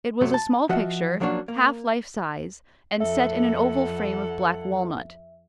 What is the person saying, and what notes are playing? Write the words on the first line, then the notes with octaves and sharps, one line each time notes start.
It was a small picture, half life-size, and set in an oval frame of black walnut.
F#2 C3 F#3 A3
A5
F3 F#4 B4 D#5 E5 F#5
F3 F#3 A#3 C#4 D4 F#4
A#3
F2 A4 E5 F#5